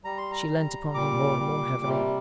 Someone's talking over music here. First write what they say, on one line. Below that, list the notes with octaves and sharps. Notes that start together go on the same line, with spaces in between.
She leant upon him more and more heavily.
G3 A#5
C6
A#5
G3
A#2 D6
G3
C3